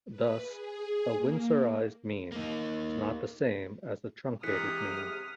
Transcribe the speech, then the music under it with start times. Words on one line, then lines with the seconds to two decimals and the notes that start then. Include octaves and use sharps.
Thus a winsorized mean is not the same as a truncated mean.
0.10 B4
0.44 G#4
1.13 A#3
2.32 A#3 D#4
4.43 C3 E3 G#3 D#6 F6 F#6 B6 C#7